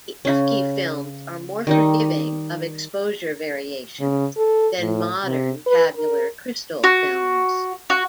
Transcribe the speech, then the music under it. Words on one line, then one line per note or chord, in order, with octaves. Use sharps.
The Efke films are more forgiving of exposure variations than modern tabular crystal films.
C#3 C#4
D#3 G3 D#4
C#3
A4
A2
C3
B4
A#4
F#4
F#4